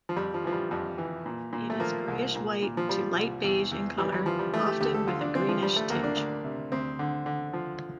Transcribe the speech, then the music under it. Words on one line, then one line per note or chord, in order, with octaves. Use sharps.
It is greyish-white to light beige in colour, often with a greenish tinge.
F3
F2 G3
F3
E3 F3
G3
F2 G3
E3
A#2
A#2
A3
F3 A#3
C2
A#2
A#2
F3
F3 G3
C2
E2
E2
E3 G3
G3
E3 F3
G3
E3 A3
G4
D2 G4
A4
D2 F4
D4
E3 C4
F3
F3 G3
A3
D2 A#3
D4
D2
C3
D2 C4
D3
D3
F3